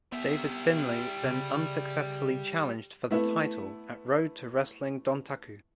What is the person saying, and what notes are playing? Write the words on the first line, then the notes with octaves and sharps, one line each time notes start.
David Finlay then unsuccessfully challenged for the title at Road to Wrestling Dontaku.
G3 B3 E5
C#3
A3 B3 E4 E5